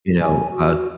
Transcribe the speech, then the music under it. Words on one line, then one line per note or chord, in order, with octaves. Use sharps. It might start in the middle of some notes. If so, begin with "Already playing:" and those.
you know, uh
G#5
F#4